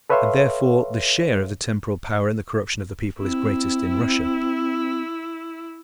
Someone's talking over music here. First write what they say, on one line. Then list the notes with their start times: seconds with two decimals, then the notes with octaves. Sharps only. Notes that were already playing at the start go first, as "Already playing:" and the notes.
And therefore the share of the temporal power in the corruption of the people is greatest in Russia.
0.10 A4 B4 C#5 E5 F5 C6
3.20 C4 E4